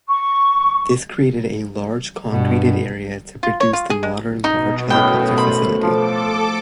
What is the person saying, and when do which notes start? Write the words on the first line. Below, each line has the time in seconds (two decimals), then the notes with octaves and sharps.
This created a large concreted area to produce the modern, large helicopter facility.
0.08 C#6
2.32 G2 B2
3.43 F4
3.60 C#5
3.73 F4
3.90 G#4
4.03 G#3
4.44 B2 D#4 D#5
4.90 F#2 A2 B3 G5
5.38 C5 B5
5.83 F3 A4 D6